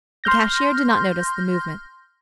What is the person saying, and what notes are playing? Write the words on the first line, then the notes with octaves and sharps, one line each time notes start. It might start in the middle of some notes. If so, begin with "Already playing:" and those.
The cashier did not notice the movement.
C6 F6 G6 A#6